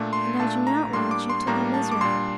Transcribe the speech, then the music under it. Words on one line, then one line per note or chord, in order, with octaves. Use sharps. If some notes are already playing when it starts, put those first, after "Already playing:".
And I do not want you to be miserable.
Already playing: A#2 A3 D4
C6
A#2 A3 D4 A5
A#5
A2 G3 A#3 D4 C6
D6
C6
A2 G3 A#3 D4 A#5
A5
D6
A#2 G3 D4 C6